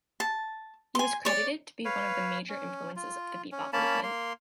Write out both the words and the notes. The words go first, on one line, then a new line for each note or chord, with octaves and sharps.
He was credited to be one of the major influences of the bebop movement.
A5
G#5 C6
C#5 D5
B4 C#5 F5
C#4
F4
C#4
A#3 C#4 A5 B5
A#3 C6